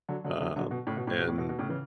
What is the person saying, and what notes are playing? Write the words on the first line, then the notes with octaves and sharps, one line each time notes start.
um, and
D3 F#3
D3 F#3
D3 F#3
D3 F#3
B2
A2 C#3
B2
A2
B2
A2
B2
B2
A2 C#3
C#3 E3